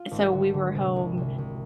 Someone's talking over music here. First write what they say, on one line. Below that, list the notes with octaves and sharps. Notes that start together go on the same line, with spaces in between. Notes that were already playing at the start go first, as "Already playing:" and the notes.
so we were home
Already playing: F4
G#1
D3 F#4
D3
C3
C2
C2
C2